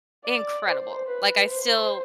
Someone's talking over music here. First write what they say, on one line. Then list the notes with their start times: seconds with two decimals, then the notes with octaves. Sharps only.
incredible, like, I still
0.24 D5
0.66 C5
1.07 B4
1.47 C5